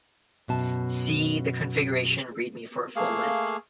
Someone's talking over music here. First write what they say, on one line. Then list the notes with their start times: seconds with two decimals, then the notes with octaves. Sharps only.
See the configuration readme for a full list.
0.48 F#2 B2 A5
2.96 A3 A#3 G#4 F5